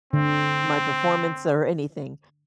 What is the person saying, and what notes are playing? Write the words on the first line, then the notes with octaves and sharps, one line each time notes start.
my performance or anything.
D3 C4